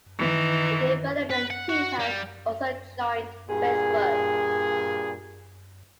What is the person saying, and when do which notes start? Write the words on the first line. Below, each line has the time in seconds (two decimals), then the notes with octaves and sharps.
The development team has also joined Facebook.
0.18 D#3 E3
1.31 B4
1.51 F#5
1.69 F#4
1.99 G3
3.49 G2 A#2 G#4